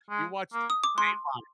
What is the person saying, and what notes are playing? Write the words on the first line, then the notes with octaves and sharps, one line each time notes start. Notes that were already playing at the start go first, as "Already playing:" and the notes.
you watched Dateline.
G#3
A#3
D#6
D6
G#3 C6